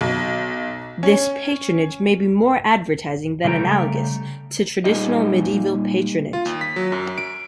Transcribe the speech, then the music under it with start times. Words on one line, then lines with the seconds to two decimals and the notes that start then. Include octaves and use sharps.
This "patronage" may be more advertising than analogous to traditional medieval patronage.
0.01 B1
1.03 C#4
3.44 C#3 G3 A3 G#4 G5 A#5
4.84 A#2 G3 D#4 G4 D#5
6.33 F4
6.45 D#2
6.61 B6
6.76 F#3
6.92 F#2
7.18 D7